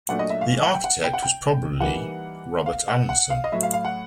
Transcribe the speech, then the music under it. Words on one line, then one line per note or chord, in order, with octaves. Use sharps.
The architect was probably Robert Allanson.
A#2 F#3 A3 D4 F#5
D#5
E5
F5
F#5
G5
F#5
G5
F#5
G5
E3 G3 A#3 D#4 F#5
F5
F#5
F#5
F5
D#5
A2 F#3 A3 E5
F5
F5
F#5